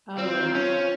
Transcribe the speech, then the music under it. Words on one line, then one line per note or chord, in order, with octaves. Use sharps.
Oh, yeah.
C4 F4
C#4